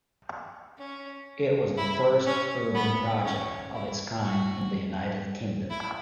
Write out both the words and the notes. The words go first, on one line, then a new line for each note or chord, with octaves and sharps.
It was the first urban project of its kind in the United Kingdom.
C#4
E4
C#4
B3
C#4
E4
F#4
E4